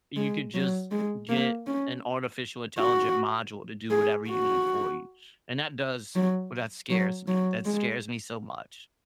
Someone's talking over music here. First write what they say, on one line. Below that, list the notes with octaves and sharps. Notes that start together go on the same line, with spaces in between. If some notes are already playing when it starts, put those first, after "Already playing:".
you could just get an artificial intelligent module to do whatever you need for you? And that does well, that scares me. That scares me so much.
G#3
F#3
G#3
A#3
C#4
F#4
G#4
F#4
F#3
F#3
F#3
G#3